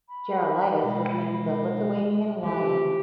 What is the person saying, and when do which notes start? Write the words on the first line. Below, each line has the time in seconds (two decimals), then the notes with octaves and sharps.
Gerulaitis was nicknamed "The Lithuanian Lion".
0.09 B5
0.81 B2 G#3
2.43 E3 F3 A3 G4